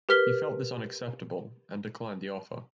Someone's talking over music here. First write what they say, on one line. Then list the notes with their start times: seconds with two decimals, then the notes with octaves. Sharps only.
He felt this unacceptable and declined the offer.
0.09 G4 A#4 B4 F6 B6 G7